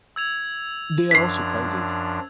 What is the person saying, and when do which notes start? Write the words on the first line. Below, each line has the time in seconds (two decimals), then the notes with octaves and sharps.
They are also crowded.
0.16 E6 G#6 F7
1.11 F#2 F3 D4 B6 C7